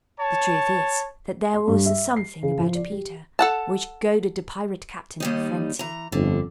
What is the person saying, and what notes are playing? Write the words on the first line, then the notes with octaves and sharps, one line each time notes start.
The truth is that there was a something about Peter which goaded the pirate captain to frenzy.
C#5 A5
C6
G2
E5
C7
C#3
F3
D5
G4
A4 F#5 A5
D#2 G3 D#4
E3 A#5
G1 F2 D3